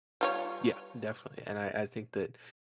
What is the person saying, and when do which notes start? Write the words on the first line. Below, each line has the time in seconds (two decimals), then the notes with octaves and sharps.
Yeah. Definitely, and I I think that
0.21 G3 F4 C#5